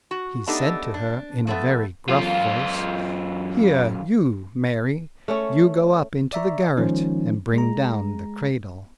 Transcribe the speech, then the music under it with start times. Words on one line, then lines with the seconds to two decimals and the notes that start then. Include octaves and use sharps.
He said to her in a very gruff voice, "Here you, Mary, you go up into the garret and bring down the cradle."
0.11 F#4
0.47 A3 B3 D4 D#4 G4 A4
0.94 D4
1.47 F3 A3 B3
2.09 F#2 F4
5.28 A3 C#4 C#5
6.33 D5 E5 A#5 C#6
6.77 D#3 F3 G#3 C#4 D#4 C5
7.54 G#3 G#4 A#5